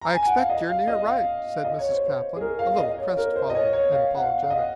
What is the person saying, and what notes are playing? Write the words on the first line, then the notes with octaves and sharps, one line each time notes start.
"I expect you're near right," said Mrs. Caplin, a little crestfallen and apologetic.
A#5
G#5
F#5
F5
D#5
F5
D#5
F5
D#5
C#5
C5
C5
G#4
A#4
F5
D#5
C#5
A#4
C5
D#5
C#5
C#5
F5
F#5
F5
F5
D#5